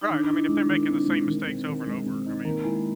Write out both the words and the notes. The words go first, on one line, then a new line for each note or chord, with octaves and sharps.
Right. I mean, if they're making the same mistakes over and over, I mean,
D#4
D#3 D4
D#4 E4
G#3 D4
D#3
C4
G#3
D#3
C4
D#3
G#3
C4
D#4
D#3 A#3
G#3 E4
G#3